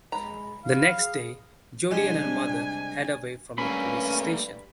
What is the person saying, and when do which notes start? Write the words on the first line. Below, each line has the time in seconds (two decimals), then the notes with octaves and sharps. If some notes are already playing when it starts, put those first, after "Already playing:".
The next day, Jody and her mother head away from the police station.
0.12 G#3 A#5 B5
0.65 F#4 F5
0.97 G#4
1.91 C3 G3 G#3 D4 G#5
3.58 G2 A3 A#3 C#4 B5